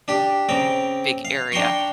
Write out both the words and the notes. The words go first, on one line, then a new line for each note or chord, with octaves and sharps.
big area,
D4 G4
C#3 C4 A#5 D6
F5
D4 G5 A#5 C6 C#6